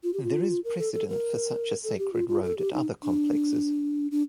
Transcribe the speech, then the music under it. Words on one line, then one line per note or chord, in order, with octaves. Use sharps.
There is precedent for such a sacred road at other complexes.
F4
G4
F4
A#4
A4
A4
A#4
A4
G4
F4
F4
A4
G4
D#4
D4
D4